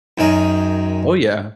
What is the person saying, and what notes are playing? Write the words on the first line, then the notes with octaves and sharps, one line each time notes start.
Oh, yeah.
F#2 D#3 G#4